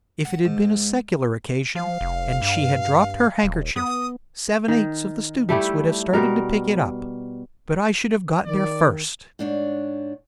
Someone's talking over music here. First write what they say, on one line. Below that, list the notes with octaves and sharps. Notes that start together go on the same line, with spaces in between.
If it had been a secular occasion, and she had dropped her handkerchief, seven-eighths of the students would have started to pick it up--but I should have got there first!
F#5
G#2
F3 F5
F1
G2
D#1
B3 D#6
D#3
G3 A3 E4 G4
B2 G3 A#4
D#3 D5
G#2 D4 C#5